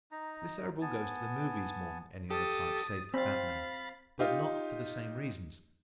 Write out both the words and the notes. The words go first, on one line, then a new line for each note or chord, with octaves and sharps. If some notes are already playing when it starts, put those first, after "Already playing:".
The Cerebral goes to the movies more than any other type save the fat man, but not for the same reasons.
D#4 A#5
B3 G#5 A5
G4 A4 D#6 A6
C4 F5 B5 A6
D#4 F4 G4